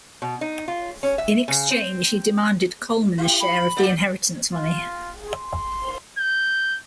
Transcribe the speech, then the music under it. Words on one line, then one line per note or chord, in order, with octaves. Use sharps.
In exchange, he demanded Coleman's share of the inheritance money.
B2
D#4
F4
C#4
E5
C#3
C4
E4 G4
B5
G3 A#3 D5
F4
C6
G6